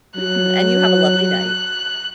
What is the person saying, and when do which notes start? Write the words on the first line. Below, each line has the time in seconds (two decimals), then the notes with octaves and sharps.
Mhm, and you have a lovely night.
0.17 F#3 F#6